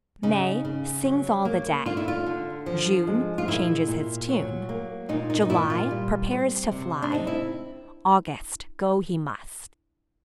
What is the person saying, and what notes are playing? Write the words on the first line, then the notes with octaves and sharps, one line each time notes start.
May--sings all the day; June--changes his tune; July--prepares to fly; August--go he must.
C#3 D#4
C#3
F#3
A#3
D3 F4
E4
F4
D3
F3
G#3
F4
A#2 E4
A#2
F#3
A#3
A#2 D#4
D#4
D#4
A#2 E4
F4
G3
C4
C3
D4
C4 D#4
E4